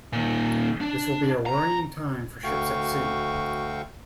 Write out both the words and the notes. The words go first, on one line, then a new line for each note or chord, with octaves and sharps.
This'll be a worrying time for ships at sea.
A#2 D#3
D4
A#5
D2 A3 F#4 F5 G5 C#6